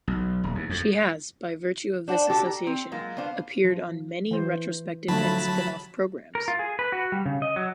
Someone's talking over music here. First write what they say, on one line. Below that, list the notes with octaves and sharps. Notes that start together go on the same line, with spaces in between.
She has, by virtue of this association, appeared on many retrospective and spin-off programmes.
B1
D#1
D#2
F2
D4 C5 F#5
D4 F#4 G4 A4
A#5
C4
F#3 G#3 A#3 F4
B3 D4 C5 F5
F3
E3 C5
D3 F3 F#3 A3 A5 B5
A#4
F4
G#4
B4
F#4
G3
C#3
D#5
F#3